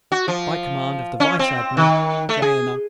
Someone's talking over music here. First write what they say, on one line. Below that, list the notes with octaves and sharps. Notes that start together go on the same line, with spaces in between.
By Command of the Vice Admiral. JNO.
F#4
F3
C#4
C4
D#3
A3
G#4